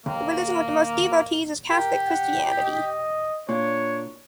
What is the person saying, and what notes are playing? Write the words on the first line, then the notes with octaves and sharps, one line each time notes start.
The religion with the most devotees is Catholic Christianity.
D#2 A#3
G4 A#4
F#5
D#5
A#2 D4 C#5